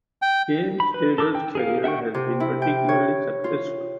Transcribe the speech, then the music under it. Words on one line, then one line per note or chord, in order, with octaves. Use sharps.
James Taylor's career has been particularly successful.
G5
B5
B4
A4 A#4 D6 E6
G5
G#4 A#4 F5
E5 F#5 G5 C#6
C3
E4
G5
C#5
F4